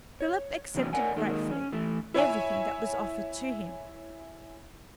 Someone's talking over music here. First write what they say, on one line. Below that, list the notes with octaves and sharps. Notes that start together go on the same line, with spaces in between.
Philip accepted gratefully everything that was offered to him.
C#5
C3 E3 F#3 G3 B3 C#4
A#4 C#5 D5 F#5 G#5
D#3 G#3 A#3
C#4
E3 A3
E4 C#5 E5 G#5